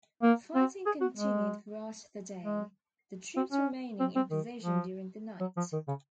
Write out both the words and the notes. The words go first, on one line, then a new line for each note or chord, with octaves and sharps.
Fighting continued throughout the day, the troops remaining in position during the night.
A#3
C4
G#4
F#4
G#3
G#3
C4
C#4
C4
C4
D#3
F3
F#3
F3
D#3
C#3